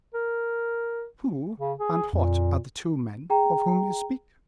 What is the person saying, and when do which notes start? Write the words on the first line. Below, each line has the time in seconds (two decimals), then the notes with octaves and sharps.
"Who and what are the two men of whom you speak?"
0.14 A#4
1.60 C#3
1.79 G#4
2.13 F2 A#2
3.30 G#4 G5 A#5